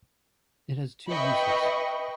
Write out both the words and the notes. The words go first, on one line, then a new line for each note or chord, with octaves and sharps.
It has two uses.
B4 D#5 E5 G5 B5 C#6